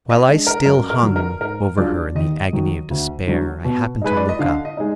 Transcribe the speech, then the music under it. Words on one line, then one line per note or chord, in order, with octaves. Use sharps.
While I still hung over her in the agony of despair, I happened to look up.
D#5
G#3 D4
A#4
F#2 A#4
A#4
D3 F#3
A#4
G#2 A#4
F#3 D4 F4 G#4 D5
D#2 D#5
D#3 F#3
D2
D3 F#3
B2
G#3 D#4 B4
D5
D#5
D3 F5
D#5
G#3 D#4